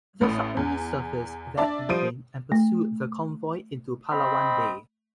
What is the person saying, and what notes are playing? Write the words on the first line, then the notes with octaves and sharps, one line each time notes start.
The submarine surfaced that evening and pursued the convoy into Palawan Bay.
A1 A2 B5 D#6
E2
D4 D5 E5 A5
F3 G3 C5 D#6 D7 D#7
A3
C4 D#5 B5